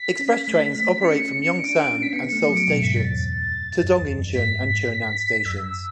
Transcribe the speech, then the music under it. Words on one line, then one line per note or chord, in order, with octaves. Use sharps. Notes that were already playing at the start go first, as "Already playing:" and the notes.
Express trains operate from Yongsan and Seoul Stations to Dongincheon and Cheonan stations.
Already playing: B6
C#4
A3
A3
C#4 C#7
C#4
C#4
D4 D7
D4
C#4
B6
B3 C#7
C#7
A3
C#7
F#3
D7
B2 C#7
G#2 B6
F#2 A6
E2 A6
F#2
E2
F#2
G#2 B6
G#2
F#2 E6
E6